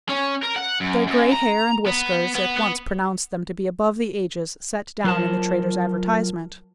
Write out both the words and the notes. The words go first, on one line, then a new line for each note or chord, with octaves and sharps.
Their grey hair and whiskers at once pronounced them to be above the ages set down in the trader's advertisement.
C#4
A#4
F#5
F#2
F#2
A#5
B3
B3
B3
F#3 F4 A#4 C5 A5